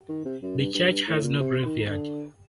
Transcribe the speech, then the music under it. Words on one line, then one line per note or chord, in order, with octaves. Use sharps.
The church has no graveyard.
D#3
C3
F#2
G2
G2
G2
A2
A#2
C3
D#3
D3